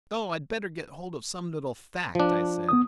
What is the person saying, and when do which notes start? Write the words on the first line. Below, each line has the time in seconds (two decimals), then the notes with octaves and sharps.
'No, I'd better get hold of some little fact' I said.
2.15 F3 D4
2.69 B3 D#6